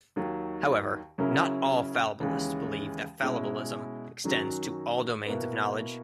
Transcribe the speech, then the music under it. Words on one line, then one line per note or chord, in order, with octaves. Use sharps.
However, not all fallibilists believe that fallibilism extends to all domains of knowledge.
D#2 D#3 F#3
C#3 F#3 C#4 E4 A#4
D#2 C#3 E3 G#3 C#4
B2 G#3 C#4 E4
F#2 D#3 F#3 C#4 F#4
B2 A#3 E4 B4